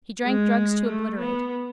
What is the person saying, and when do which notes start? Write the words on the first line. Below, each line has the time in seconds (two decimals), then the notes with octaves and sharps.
He drank drugs to obliterate.
0.25 G#3
0.87 A3
1.19 B3